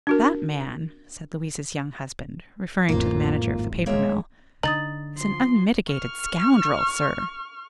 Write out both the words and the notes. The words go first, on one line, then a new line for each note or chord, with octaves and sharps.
"That man," said Louise's young husband, referring to the manager of the paper mill, "is an unmitigated scoundrel, sir."
D4 F#4 A#4
A1 F2 A#3 F4
G#1
G#3 A#3 C#5 E5
D3 D#4 D#6 A6 F#7
F3 C6
C#6 F6